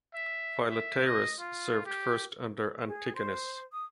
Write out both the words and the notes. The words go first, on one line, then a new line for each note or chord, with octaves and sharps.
Philetaerus served first under Antigonus.
E5
E5
D#5
F4
G4
G#4
C5
D#6